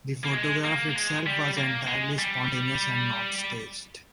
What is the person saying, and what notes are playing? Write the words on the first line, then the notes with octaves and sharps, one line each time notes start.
The photograph itself was entirely spontaneous and not staged.
A#3
G#3
A#3
A#3
G#3
G3
A#3
G#3
G3